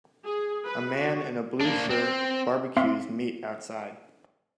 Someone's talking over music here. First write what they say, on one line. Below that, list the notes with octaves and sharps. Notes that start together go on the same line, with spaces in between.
A man in a blue shirt barbecues meat outside.
G#4
B4
F#4
A#3 D4
C4
C4 E5 F5 C6